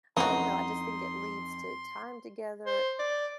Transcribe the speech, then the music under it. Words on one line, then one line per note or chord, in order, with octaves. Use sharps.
I don't know, I just think it leads to time together
F2 E3 C#4 D#4 F#4 C6
C5
D5